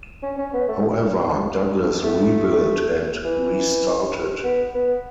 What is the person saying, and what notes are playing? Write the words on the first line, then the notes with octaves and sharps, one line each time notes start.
However, Douglas rebuilt and restarted.
C#4
C#4
B3
A3
A3
E3
B3
B3